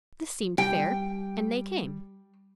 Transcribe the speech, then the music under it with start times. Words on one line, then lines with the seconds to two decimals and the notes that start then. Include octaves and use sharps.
This seemed fair, and they came.
0.58 G3 G5